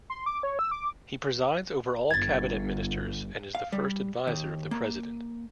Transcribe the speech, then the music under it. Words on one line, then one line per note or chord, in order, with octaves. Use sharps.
He presides over all cabinet ministers and is the first adviser of the President.
C6
D6
C#5
E6
D6
G1 G#6 A6
F5
G3
D#2
A#3